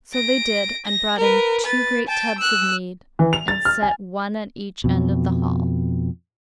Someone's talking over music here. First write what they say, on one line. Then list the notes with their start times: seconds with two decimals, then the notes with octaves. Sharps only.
So they did and brought in two great tubs of mead and set one at each end of the hall.
0.14 A#6 D7
0.85 A#6
1.18 A#4 B4
1.64 B4 A6
2.07 G5 A5
2.38 E6 F#6
3.19 E3
3.33 F7
3.48 A6
3.65 F6
3.82 G#5
4.84 F2 B2